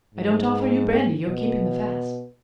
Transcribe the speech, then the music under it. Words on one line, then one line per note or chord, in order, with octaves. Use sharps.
I don't offer you brandy, you're keeping the fast.
G#2
B2